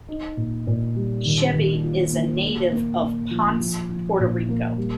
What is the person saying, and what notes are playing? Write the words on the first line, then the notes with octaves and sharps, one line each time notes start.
"Chevy" is a "native" of Ponce, Puerto Rico.
D#4
A#2
A#2
G3
D#3
D#3
F4
A#3
A#3
A#3
A#3
F3
F3
F3
A#2
A#3
G3